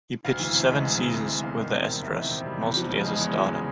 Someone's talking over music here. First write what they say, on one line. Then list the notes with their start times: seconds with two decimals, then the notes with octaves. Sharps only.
He pitched seven seasons with the Astros, mostly as a starter.
0.25 D2 F5
0.40 E3
0.55 C3
0.69 G#3
0.84 D2
0.98 E3
1.14 C3
1.28 G#3
1.43 E2 F5
1.58 D#3
1.73 C3
1.87 G3
2.02 E2 E5
2.17 D#3
2.31 C3
2.46 G3
2.61 E2
2.76 F3
2.90 C#3
3.05 G#3
3.20 E2
3.35 F3
3.50 C#3